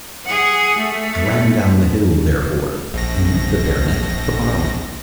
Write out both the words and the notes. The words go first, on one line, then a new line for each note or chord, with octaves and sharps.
I ran down the hill therefore and met the baronet at the bottom.
G#4 F#5
A3
A#1 A#6